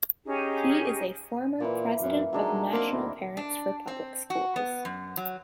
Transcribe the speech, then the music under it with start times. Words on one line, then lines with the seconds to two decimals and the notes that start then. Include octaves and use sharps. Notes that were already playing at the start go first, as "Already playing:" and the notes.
He is a former President of National Parents for Public Schools.
0.24 C#4 D#4 G4 G#4
1.60 A#2 E3 A#3
2.01 F#2
2.33 F#3 G#3 D4 D#4
2.73 A#3 C4 A#4
2.92 D2 E4
3.37 D4
3.88 C4
4.30 F#4
4.56 B3
4.85 F#2
5.17 F#3